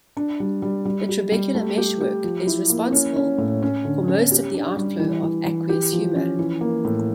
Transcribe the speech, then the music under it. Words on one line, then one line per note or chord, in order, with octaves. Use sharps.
The trabecular meshwork is responsible for most of the outflow of aqueous humor.
D4
G3
G3
G3
G4
G3
A3
G4
G4
F3
E4
A#3
C#4
C#4
A2
C#4
D3
C#4
G4
D4
G3
E3
E3
E3
G4
F3
C#4
E3
A#3
A2